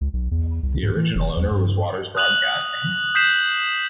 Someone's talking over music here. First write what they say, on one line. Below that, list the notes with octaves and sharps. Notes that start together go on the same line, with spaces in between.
The original owner was Waters Broadcasting.
C#2
B1
E2
C2
G#2
E3
F1
E2
G2
D#6 F#6 F7 F#7
D#6 G6 B6 C7 E7 F#7